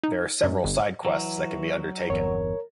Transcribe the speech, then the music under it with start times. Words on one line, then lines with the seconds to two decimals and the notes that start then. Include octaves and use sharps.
There are several side quests that can be undertaken.
0.04 D#4
0.43 F#2
0.65 G1
1.05 E3 F#3
2.10 G1 E2 A#4 C#5